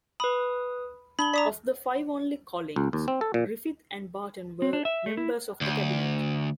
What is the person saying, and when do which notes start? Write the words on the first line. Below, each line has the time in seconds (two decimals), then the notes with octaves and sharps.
Of the five only Collins, Griffith and Barton were members of the cabinet.
0.20 B4 B5 D#6
1.19 D4 B5 F#7 G7
1.34 D5 A#5 D#6 B6
2.76 C#2
2.93 D#2
3.08 C4
3.21 A4
3.34 A#2
4.62 C4
4.73 D4
4.85 E5
5.06 A3
5.17 E4
5.61 D2